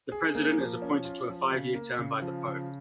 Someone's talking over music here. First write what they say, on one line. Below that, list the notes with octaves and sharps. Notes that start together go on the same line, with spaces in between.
The President is appointed to a five-year term by the Pope.
G#4
A#3
F3
C#4
F4
F3
C#3
A#3
C#3
F3
C#3